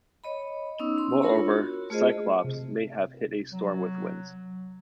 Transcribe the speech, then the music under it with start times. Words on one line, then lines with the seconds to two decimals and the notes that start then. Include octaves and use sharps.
Moreover, "Cyclops" may have hit a storm with winds.
0.24 C#5 D#5 B5
0.79 B3 C#4 D#4 E6
0.98 C#4 C6 E6
1.22 D4 F4 A#4 C#5 B5
1.51 F#4
1.90 A3 F4 G#4 C5 D#5
2.44 C3
3.52 F#3